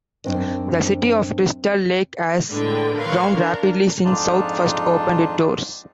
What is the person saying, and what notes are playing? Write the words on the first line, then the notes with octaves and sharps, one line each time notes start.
The city of Crystal Lake has grown rapidly since South first opened it doors.
F#2 G#3 C4 D4 C5 D#5
A2 D3 G#3 B4 G5
A#4 B4 C#5 F5 C6
D4 A#4
F2 G#2 D4 D#4 F4 A5